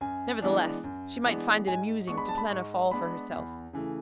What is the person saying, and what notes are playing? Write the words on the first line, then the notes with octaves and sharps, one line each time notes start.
Nevertheless, she might find it amusing to plan a fall for herself.
F#2 G#5
E3 G#3 B3 D4
F#2
E3 G#3 B3 D4
G#2 G#5
G#3 B3 D4 C#6
B5
A5
B5
G#2 C#6
G#3 B3 D4 B5
E2
C#3 E3 A3